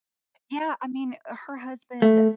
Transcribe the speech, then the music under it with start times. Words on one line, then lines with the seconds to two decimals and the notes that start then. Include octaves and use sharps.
Yeah. I mean, her husband
2.02 A3